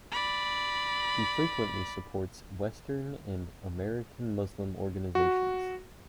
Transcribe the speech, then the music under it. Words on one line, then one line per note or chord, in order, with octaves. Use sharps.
He frequently supports Western and American Muslim organizations.
D5 B5
F#4